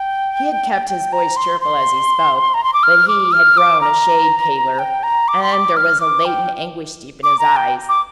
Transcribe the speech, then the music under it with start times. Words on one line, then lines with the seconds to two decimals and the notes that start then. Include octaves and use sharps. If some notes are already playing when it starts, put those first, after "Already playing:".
He had kept his voice cheerful as he spoke, but he had grown a shade paler, and there was a latent anguish deep in his eyes.
Already playing: G5
0.89 G5
1.13 A#5
1.37 C6
1.61 C6
2.54 A#5
2.64 C6
2.73 D6
2.83 F6
3.08 D6
3.32 F6
3.57 D6
3.81 A#5
4.79 G5
5.03 A#5
5.28 D6
5.43 C6
5.52 D6
5.77 F6
6.01 D6
6.25 G5
7.23 D6
7.39 A#5
7.56 G5
7.89 D6